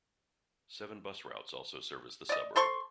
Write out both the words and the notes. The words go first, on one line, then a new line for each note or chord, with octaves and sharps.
Seven bus routes also service the suburb.
D5 D#5
A4 C5 C6 C#6